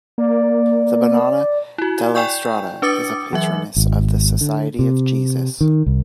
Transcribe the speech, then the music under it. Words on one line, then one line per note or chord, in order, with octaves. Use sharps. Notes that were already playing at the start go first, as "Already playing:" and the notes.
The Madonna Della Strada is the patroness of the Society of Jesus.
A#3 D5
E4 F#4
D5 G5 G#5 C#6 G6
D4 B4 D6 D#6 A6 C#7
E3 F#3 E5
G#1
D3
C3
D#3
C2